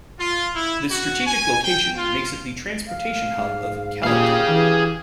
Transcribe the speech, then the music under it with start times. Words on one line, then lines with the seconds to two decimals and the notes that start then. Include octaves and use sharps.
This strategic location makes it the transportation hub of Kelantan.
0.19 F4
0.56 E4
0.91 F#4
1.27 G#5
1.63 G5
1.95 F4
2.87 F5
3.37 G#2
4.03 A#2 G4 G#4 F5
4.48 E3